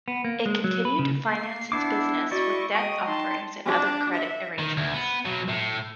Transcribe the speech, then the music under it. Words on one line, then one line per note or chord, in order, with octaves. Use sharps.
It continued to finance its business with debt offerings and other credit arrangements.
B3
A#3
G#3
F#3
B4
C#3
A#3 C7
B3 D4 E4 D6
E4 F#4 D5 D#5 C#6
G#3 D#5 G5 C#6 D#6
D#4 A5 C6
D4
E5
D#3
D2
B3
B2 F#3
A2